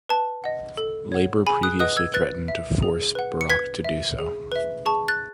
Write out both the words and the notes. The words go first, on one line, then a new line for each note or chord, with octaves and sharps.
Labor previously threatened to force Barak to do so.
B4 A5
D#5 F#5
A4
C#5 F#5
G#4 G#5 B5
D#6 F#6
B4 D#5 F#5 D#6 F#6
E6 G#6
B4 F#6 A6
E5
G#4
B4 F#5
C#7
B4 G#6 B6
E5
G#4
B4 E5
G#4 A5 C#6
F#6 A6